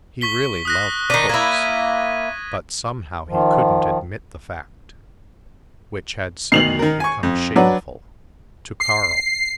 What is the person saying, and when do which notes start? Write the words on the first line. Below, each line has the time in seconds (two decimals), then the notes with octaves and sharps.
He really loved books, but somehow he couldn't admit the fact, which had suddenly become shameful, to Carl.
0.21 C#6 B6 G7
0.65 D#6 F#6 A#6
1.10 D#3 D4 F#6 B6 D#7
1.29 A#3 E4 G#6 A#6
3.28 D#3 F3
6.52 D2 B2 D#3 C7 F7 F#7
6.79 D#3 A#4
7.00 G#5 C#6
7.23 F2
7.56 F#3 D4 B4
8.80 C7